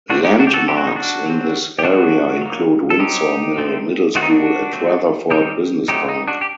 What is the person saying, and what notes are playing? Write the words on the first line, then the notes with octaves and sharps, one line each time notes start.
Landmarks in this area include Windsor Mill Middle School and Rutherford Business Park.
D3 A3 C4 D4 F#4
D#4 G4
D4 F#4
G4
F#4 A4
F#3 C4 G4
F#4
D#4
D4 F#4
F#3 C4
G4
D3 F#3 A3 C4 D4 F#4
F#3 A#3
A4
F#3 C4 D#4 G4
D3 A3 C4
D#3 A3 C4 F#4
D#4
D4 F#4
F#3 A3 C4
D#3 G3 C4 D#4 G4
F#3 A3 C4 D#4 G4
D#4
D4 F#4
G4